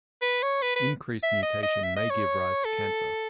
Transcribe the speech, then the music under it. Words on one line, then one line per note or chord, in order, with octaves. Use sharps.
Increased mutation may give rise to cancer.
B4
C#5
B4
B4
E5
D#5
D#5
E5
D#5
C#5
A4